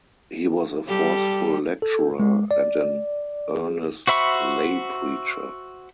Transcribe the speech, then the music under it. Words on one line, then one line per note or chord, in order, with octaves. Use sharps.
He was a forceful lecturer and an earnest lay preacher.
G3 G4 A4
A4
G#3
D5
G#4
F#4 C5 E5 B5 C#6